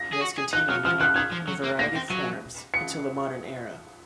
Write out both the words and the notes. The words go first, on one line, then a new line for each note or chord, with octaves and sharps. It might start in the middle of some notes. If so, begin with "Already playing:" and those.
It has continued, in a variety of forms, until the modern era.
Already playing: A#6
G#4
F#4
G#4
D#4 F#6
F#3 F6
F3 F6
D#3 F#6
D#3 G#6
F3
F#3
A#3
A#3 A#6
C4
F#3 D#7
C#7